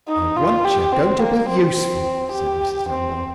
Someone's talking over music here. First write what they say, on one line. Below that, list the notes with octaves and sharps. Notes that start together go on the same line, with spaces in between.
"For once you are going to be useful," said Mrs. Lambole.
D#4
F4
G4
C4
A#3
C4
C4
G4
C4